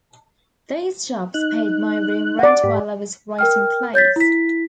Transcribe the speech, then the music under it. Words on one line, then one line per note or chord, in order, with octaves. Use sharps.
These jobs paid my room rent while I was writing plays.
D#4 F#6
D5 F#5
G#2 G4 B5
A#4 G5 F6
C#5 G6 A6 B6
E4 B6